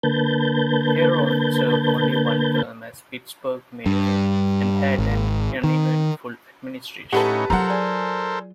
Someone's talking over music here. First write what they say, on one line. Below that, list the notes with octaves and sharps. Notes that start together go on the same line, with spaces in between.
Herron served only one term as Pittsburgh Mayor and had an uneventful administration.
D3 A#3 B4 A5 G6
G2
G#1
D#3
A2 C#4 D#4 G4 A4 B4 F#5
F#3 F4 A4 A#4 C5 F#5 A#5
G#4 D5